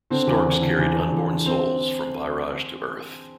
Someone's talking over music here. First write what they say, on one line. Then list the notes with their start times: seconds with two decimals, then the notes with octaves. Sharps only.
Storks carried unborn souls from Vyraj to Earth.
0.10 D3 C4
0.27 E2
0.45 D3
0.61 D3
0.78 E2
0.95 D3
1.12 E2
1.29 D3
1.46 C4